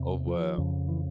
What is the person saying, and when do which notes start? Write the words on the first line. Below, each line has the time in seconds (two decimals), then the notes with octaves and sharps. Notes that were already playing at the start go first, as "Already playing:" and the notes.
Oh, wow.
Already playing: E2 C3
0.27 F3
0.58 F2 C#3
0.88 E3